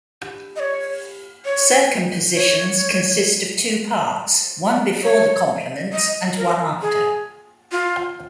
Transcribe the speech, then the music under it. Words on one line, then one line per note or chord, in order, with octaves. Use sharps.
Circumpositions consist of two parts, one before the complement and one after.
D#5
C#5
C#5
C#5
C#5
D#5
A#4
G#4
F4